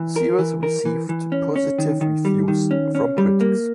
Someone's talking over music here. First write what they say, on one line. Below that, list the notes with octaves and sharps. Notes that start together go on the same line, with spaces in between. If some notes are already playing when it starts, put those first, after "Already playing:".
The series receive positive reviews from critics.
Already playing: E3
A#4
E3
A#4
E3
E3
C#4
C#4
D#3
D#3
G3
D#3
C#4
C#4
G3
A#3